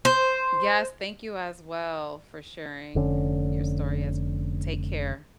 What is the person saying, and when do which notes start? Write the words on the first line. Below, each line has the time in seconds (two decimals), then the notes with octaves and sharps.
Yes, thank you as well for sharing your story as Take care.
0.05 C5
2.95 F1 D3 C#4